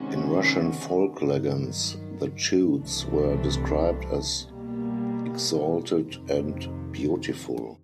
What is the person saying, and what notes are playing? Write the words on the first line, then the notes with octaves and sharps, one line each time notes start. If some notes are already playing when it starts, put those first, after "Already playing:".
In Russian folk legends, the Chudes were described as exalted and beautiful.
Already playing: C3 D#3 G#3 C#4 F#4
G2 D#3 F#3
C2 C3 E3 A3 D4
B2 G3 A#3
F2 C3 D#3